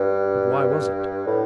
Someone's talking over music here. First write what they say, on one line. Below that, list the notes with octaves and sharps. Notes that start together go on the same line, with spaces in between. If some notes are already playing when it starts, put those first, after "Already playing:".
But why was it?
Already playing: G2
A2